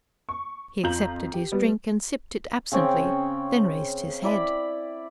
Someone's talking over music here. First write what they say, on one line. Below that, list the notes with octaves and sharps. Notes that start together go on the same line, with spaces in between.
He accepted his drink and sipped it absently, then raised his head.
C#6
F2 F4 A#5 G6 F#7
G4
G3 B3
C#3 C4 C#5 G5
E4 D5 B5